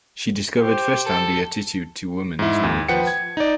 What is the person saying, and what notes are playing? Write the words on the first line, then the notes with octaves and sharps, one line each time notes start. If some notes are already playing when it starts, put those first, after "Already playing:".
She discovered first hand the attitude to women as workers.
G4 C5
A4
G#2 E4
D#2
F3 B4 F#5 G5 C#7
G#6
D#4 D5